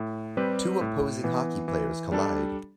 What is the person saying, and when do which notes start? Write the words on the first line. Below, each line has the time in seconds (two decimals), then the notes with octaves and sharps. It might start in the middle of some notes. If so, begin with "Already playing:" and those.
Two opposing hockey players collide.
Already playing: A2
0.37 G3 C4 G4 B4
0.81 A2
1.24 E3 B3
1.68 E3
2.12 G3 D4 A4